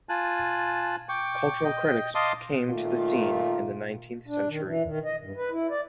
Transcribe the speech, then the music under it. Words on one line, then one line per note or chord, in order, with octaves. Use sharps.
Cultural critics came to the scene in the nineteenth century.
F4 G#5 A5 F#6
G5 C#6 D6
D#5 G5
D#5 F5 A5 C6 D6 D#6
A#2 D#3 A3 F4
D4
D#3
E3
D#3
D#5
G2
B4
E4
D5